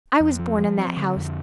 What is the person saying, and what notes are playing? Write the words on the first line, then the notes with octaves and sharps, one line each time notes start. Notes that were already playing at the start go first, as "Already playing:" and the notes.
I was born in that house.
F2
F3
F3
C4
D3
F2